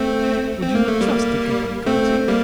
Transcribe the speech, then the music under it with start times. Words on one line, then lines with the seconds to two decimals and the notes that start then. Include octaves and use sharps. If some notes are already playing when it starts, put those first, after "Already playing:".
"Would you not trust the Cavalcanti?"
Already playing: A3 C4
0.62 C4
0.75 A#3
0.88 A3
1.01 G3 A#3
1.86 A3 C4
2.28 G3 A#3